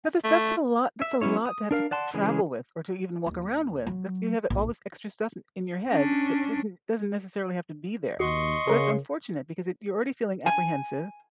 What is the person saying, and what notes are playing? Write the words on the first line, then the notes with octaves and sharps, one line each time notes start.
That this that's a lot that's a lot to have to travel with, or to even walk around with, that's you have all this extra stuff in your head that didn't doesn't necessarily have to be there, so that's unfortunate because if you're already feeling apprehensive,
A3
E5
F#3 B3 C#4 E4 C#5
D#6
D4 A#4 F5
D5 F#5 A5 C6
C#3 E3 G#3 C#4 G#4
D#2
F#3
A#1
C#4 D4
D#2 F#4 D#5 C6 C#6
C#3 G#4 A#4
G#5